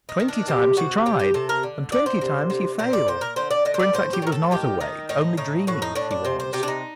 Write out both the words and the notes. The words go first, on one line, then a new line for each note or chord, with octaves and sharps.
Twenty times he tried, and twenty times he failed; for in fact he was not awake, only dreaming that he was.
D#4
D#3
D4
C3 G4
C3 F#4
C3 G4
G4
C3 A4
A#4
D3
D3 D5
C5
C3
C3
A#2 C5
D5
A#2 C5
A#4
D3 C5
D5
D3 D#5
C5
D5
A2 C5
G4
A2 A#4
A4
D#3 G4
D#3 D#4
A2 D#4
A2 D#4
A2 F#4
D#4
A2 D4
D4
C3 C5
C5
C3 G4
D4
D#4